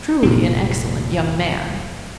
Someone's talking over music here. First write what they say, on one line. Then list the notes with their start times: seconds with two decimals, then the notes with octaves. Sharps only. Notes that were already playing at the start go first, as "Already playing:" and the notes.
Truly an excellent young man.
0.23 F1 A#2 C4